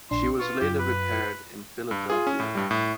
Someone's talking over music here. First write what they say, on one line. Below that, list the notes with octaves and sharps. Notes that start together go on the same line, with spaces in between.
She was later repaired in Philadelphia.
A#1 D4 C6
F4 B4 C#6
F#2 F4 G4
B4
G2
F4 G#4
C#4
A2
G2 G3
A2